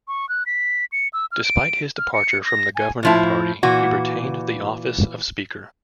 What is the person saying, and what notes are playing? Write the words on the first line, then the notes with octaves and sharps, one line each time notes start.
Despite his departure from the governing party, he retained the office of Speaker.
C#6
F#6
B6
C#7
E6
F6
D7
F6
C#7
A#6
G#5
A2 F3 E4
A#2 E3 F#4